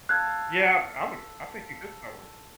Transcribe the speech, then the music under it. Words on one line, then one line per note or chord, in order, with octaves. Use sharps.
Yeah, I would I think you could sell 'em.
A4 F5 F#6 G#6